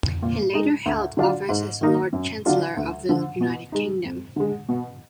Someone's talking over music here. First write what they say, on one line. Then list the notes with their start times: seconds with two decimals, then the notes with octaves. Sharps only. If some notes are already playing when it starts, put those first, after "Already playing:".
He later held office as Lord Chancellor of the United Kingdom.
0.23 A#2
0.53 G#3 D#4
0.86 D2
1.17 D3 F#3 D4 F4
1.49 G#2
1.81 D#3 A#3 D#4
2.13 F#2
2.46 D3 F#3 D4 F4
2.77 D2
3.09 D3 F3
3.41 B2
3.72 G#3 D#4
4.05 F2
4.36 D3 G#3
4.69 B2